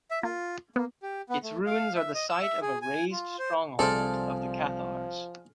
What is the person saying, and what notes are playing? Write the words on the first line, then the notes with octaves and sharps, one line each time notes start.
Its ruins are the site of a razed stronghold of the Cathars.
E5
A#3 F4
A#3 B3
G4
B3
A3
F5
E5
D#5
E6
E5
G#4
G#5
F4
C5
C2 F3 G#4 A4 C5 D5 F6